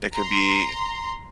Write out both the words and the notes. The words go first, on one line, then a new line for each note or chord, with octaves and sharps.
It could be
A#5 C6